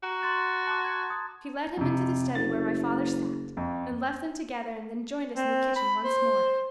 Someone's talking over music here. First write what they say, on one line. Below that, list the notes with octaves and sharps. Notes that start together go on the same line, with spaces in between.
She led him into the study where my father sat, and left them together and then joined us in the kitchen once more.
F#4 A#5
C6 A6 E7
A5 C6 D6
G#6
D#6
F2 C3
F#1 A6
F2
C4
B5
C5